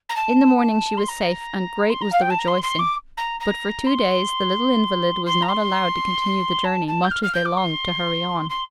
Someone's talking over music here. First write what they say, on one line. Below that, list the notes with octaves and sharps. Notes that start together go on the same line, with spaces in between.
In the morning she was safe, and great was the rejoicing; but for two days the little invalid was not allowed to continue the journey, much as they longed to hurry on.
A#5
A5
C6
A#5
C6
A#5
F5
G5
A5
A#5
C6
C6
D6
A#5
A#5
C6
C6
A#5
C6
A5
A5
G6
F6
F6
G6
D6
C6
C6